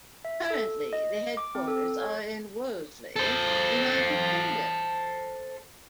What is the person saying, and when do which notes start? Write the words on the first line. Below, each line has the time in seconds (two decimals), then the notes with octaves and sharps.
Currently the headquarters are in Worsley, United Kingdom.
0.25 E5
0.50 A4
0.93 D#5
1.37 D6
1.55 C4
1.68 A4
2.00 C#5
3.16 A4 C5